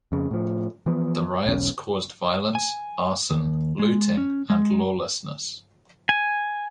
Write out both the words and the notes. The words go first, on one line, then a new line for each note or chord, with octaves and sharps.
The riots caused violence, arson, looting and lawlessness.
F2 C#3
A2 F3
E3 F3 B3
E1 B1 C#4
G#5
D#2
G#3
C#4
G#3
G#5